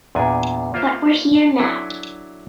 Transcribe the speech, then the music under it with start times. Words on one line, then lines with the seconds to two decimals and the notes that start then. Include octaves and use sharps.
But we're here now.
0.15 E2 A#2 D4 G#5
0.74 A#3 F4 A#4 C5 E5
1.58 F#3 D4 E4 A4 G#5